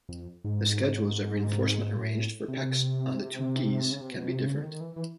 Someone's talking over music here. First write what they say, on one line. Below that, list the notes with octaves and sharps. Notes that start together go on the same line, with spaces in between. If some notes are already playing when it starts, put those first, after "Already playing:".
The schedules of reinforcement arranged for pecks on the two keys can be different.
F2
G#2
A#2
A2
C3
C#3
C3
B2
C3
C#3
D3
D#3
E3
E3